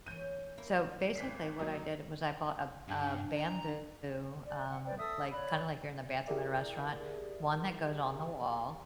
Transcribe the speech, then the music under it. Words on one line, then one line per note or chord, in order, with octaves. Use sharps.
So basically what I did was I bought a a bamboo, um, like, kinda like you're in the bathroom at a restaurant, one that goes on the wall,
E3 C#5 G6 D#7
A#3 E4
D#3
G#1 B6 C7
F#3 A#3 D#4
G2 D4
A#5
D5
F#5
B4 C5 D5 G5
A4 E5 D#6 E6
C#5 D5 B5 F#6
E4 G4 G#4 A#4 D5 E5